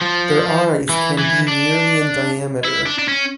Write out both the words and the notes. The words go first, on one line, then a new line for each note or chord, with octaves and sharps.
Their eyes can be nearly in diameter.
F3
E3
E3
D4
E4
D4
D4
C#4